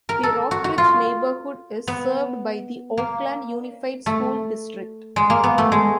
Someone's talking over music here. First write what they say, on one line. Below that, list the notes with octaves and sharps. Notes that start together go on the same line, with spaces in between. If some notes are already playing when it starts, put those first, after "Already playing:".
The Rockridge neighborhood is served by the Oakland Unified School District.
A#4
A4
F#4
F#4
F4
B3
A#3
A3
G#3
A#3
B3
A3
G#3